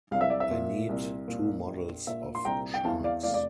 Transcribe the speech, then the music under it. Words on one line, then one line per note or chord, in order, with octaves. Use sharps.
I need two models of sharks.
C2 F5
E5
D5
E5
A#2
C2
A#2
A#1
A#2 E5
C6
C2 G5 A#5
G5
E2 F5 A5
D5 F5
F1 D5 F5
D5